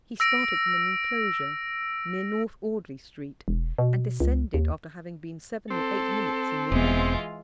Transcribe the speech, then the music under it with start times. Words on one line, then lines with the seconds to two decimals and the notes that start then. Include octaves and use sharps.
He started from an enclosure near North Audley Street, and descended after having been seven or eight minutes in the air.
0.20 E6 A#6 D7
3.48 E1
3.78 B2
4.20 C#2
4.54 D#2
5.70 C4 A4
6.72 E1 E3 G#3 B3 F4